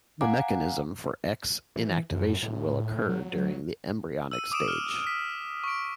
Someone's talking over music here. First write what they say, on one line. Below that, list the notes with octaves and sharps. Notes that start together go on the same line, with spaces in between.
The mechanism for X inactivation will occur during the embryonic stage.
F5 F#5 G#5 A#5 D6
E3
F#2
A2
F#3
E6 D#7
D6 D#6 D7 E7
F6
B6
C#6 D7